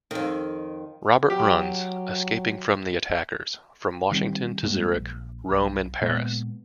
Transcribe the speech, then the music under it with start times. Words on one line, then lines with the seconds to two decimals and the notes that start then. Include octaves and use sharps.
Robert runs, escaping from the attackers, from Washington to Zurich, Rome and Paris.
0.11 F2 D#3
1.30 F#3 G4
4.11 D#3 G3 C4
4.63 G2 G3 G#3 A#3
4.95 A#1
5.50 B1
6.02 A#2 G#3 B3